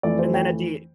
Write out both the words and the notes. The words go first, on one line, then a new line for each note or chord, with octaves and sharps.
And then at the
F2 E3 A3 D5
C5
G5